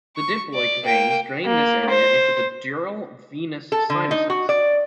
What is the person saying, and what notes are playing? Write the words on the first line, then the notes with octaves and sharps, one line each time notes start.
The diploic veins drain this area into the dural venous sinuses.
C#6
D5
A#3 G5
A#3
C5
A4
D3
D#4
F#4
D5